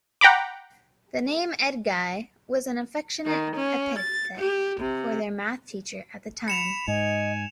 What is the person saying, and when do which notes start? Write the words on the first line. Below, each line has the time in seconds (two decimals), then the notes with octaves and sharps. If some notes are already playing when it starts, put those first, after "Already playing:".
The name "Edguy" was an affectionate epithet for their math teacher at the time.
0.21 F#5 G5 A#5 B5 D6
3.25 D#3
3.56 C#4
3.97 A6
4.37 G4
4.81 C3
6.48 B5 C#7 E7 F7
6.88 G#2 D#5 G#5